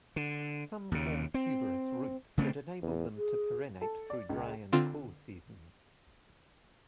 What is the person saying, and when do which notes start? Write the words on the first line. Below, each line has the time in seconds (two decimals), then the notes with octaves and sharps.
Some form tuberous roots that enable them to perennate through dry and cool seasons.
0.16 D3
0.92 D#2 C#3
1.34 C4
2.38 C#3 A3 A#3 C4
2.82 E2
3.17 G#4
3.82 A4
4.10 D5
4.29 C#2
4.73 D3 C4 F4 C6